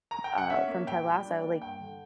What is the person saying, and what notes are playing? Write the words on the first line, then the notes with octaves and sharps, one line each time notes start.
uh, from Ted Lasso, like,
A#5
G5
F#5
C#4 E5
A#3
A#2 G5
G3
D4
A#3
G2 G5
D3